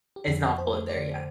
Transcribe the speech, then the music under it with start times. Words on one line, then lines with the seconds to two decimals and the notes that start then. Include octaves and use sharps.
It's not fully there yet.
0.16 G4
0.27 F2 A4
0.50 F2
0.58 C5
0.74 A3
0.89 D5
0.97 D3